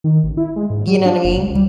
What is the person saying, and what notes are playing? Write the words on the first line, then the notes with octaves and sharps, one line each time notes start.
you know, what I mean?
D#3
A1
E4
G#3
G#2
F#3
D4
F#1
C#2
G3